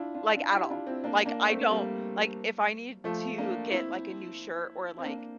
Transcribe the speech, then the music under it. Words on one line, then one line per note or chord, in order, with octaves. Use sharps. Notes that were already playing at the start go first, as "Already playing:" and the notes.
Like, at all, like, I don't like, if I need to get, like, a new shirt or, like,
Already playing: D4 E4 F4
D4 F4
D4 F4
E4 G4
D4 F4
C4 E4
A#3 D4
A#3 D4
A3 C4
G3 A#3
F3 A3
A#3 D4
C4 E4
C4
A#3 D4